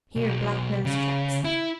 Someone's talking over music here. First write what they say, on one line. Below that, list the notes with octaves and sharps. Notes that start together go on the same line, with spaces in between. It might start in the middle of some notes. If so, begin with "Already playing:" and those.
Here black man's tracks.
B1
C#3
E4